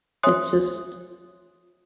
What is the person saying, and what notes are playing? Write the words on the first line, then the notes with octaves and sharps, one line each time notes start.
it's just
C#5 E5 G#5 C6 D#6 F#6